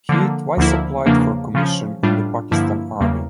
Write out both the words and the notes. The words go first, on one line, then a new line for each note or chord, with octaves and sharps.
He twice applied for commission in the Pakistan Army.
D3 F3 A#3
D2 D3 F3 A#3 E4
E2 C#3 F3 A#3 D4
C#3 F3 C#4
A2 G3 D4 F4
G2 D3 F3 A#3 E4
E2 C#3 G3 A#3